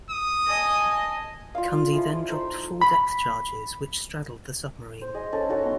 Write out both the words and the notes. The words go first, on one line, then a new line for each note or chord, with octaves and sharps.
Cundy then dropped four depth charges which straddled the submarine.
D#6
D#5 G#5 A5
F4 D5 F5
F3 G#3 E4
D#4 A4 C5 B5
B5
C5
G#4 D#5
C#4 A4
D#4 F#4 A4 C#5
B3 C6